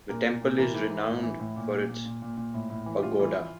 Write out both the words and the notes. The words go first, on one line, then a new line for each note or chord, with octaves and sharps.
The temple is renowned for its pagoda.
A#2 A#4
A#2
A#2
E3 A#4
E3
E3
A2
E3
A2
A#2
A#2
A#2
A#2
A#2
A#2
A2
A2
E3
G4
A2 F4
E3
E3